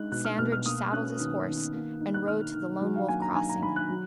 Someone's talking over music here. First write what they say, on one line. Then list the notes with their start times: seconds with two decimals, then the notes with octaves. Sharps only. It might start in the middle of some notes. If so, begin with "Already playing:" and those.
Sandridge saddled his horse and rode to the Lone Wolf Crossing.
Already playing: G#3 D#4 F#6
0.12 B2 F#6
0.25 F6
0.38 B2 F6
0.52 F6
0.66 A#3 D#6
0.93 C#4 F#6
1.19 D#3
1.47 D#3
1.74 A#3
2.01 D#4
2.14 F#6
2.27 D#3 F6
2.54 D#3
2.81 F#3
2.95 F5
3.08 A#3 G#5
3.22 A#5
3.35 D#4 G#5
3.49 A#5
3.63 D#3 B5
3.76 F#6
3.89 F#3